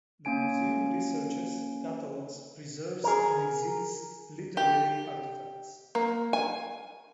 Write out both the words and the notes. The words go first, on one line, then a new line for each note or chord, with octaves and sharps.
The museum researches, catalogs, preserves, and exhibits literary artifacts.
A#3 C#4 G#5 D7
G#4 A#4
G4
A#3
G#5